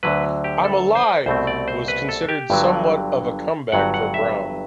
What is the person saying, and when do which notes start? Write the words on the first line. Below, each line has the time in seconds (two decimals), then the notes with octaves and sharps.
"I'm Alive" was considered somewhat of a comeback for Browne.
0.03 D2 D3 F#3 B4
0.44 G4
0.64 A4
0.95 C5
1.26 C2 B2 A3 C4 C5
1.47 D5
1.68 C5
1.88 B4
2.09 A4
2.29 G4
2.50 G1 G2 D3 F#3
3.72 G1 G2 F#3 F#5
3.94 F#5
4.14 E5